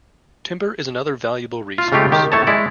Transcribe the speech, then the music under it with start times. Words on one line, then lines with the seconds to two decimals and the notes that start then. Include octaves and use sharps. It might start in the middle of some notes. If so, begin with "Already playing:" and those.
Timber is another valuable resource.
1.78 F4
1.92 C#3 G#3 A3 F4 G4
2.12 D#3 G4
2.32 A2 A3 C#5 A5
2.47 G#3 E4 D5